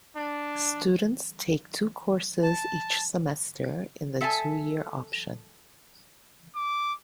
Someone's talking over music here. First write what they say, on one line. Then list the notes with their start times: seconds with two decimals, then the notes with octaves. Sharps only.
Students take two courses each semester in the two-year option.
0.16 D4
2.43 A5
4.21 A4 E5 F#5 G#5 A5
6.56 D6